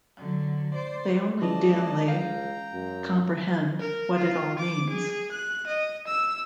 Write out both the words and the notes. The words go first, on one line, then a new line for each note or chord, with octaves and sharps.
They only dimly comprehend what it all means.
D3 F#3
C5 D5
E3 G#3 C#4 D5 D#5 A5
C#2 F5 G5 A#5
F#2
A#4
F4
D6
G#4
F#6
D#5
E6